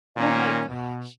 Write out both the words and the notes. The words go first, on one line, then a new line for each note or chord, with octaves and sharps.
oh my gosh.
A#2 D#3 A#3 C#4
B2